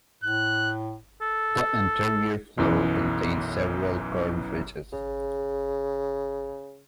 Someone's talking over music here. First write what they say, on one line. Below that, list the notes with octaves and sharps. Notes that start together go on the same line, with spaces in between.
The interior floor contains several curved ridges.
A2 F#6
A4
B1 F#2 E3
G#1 C#3 G#4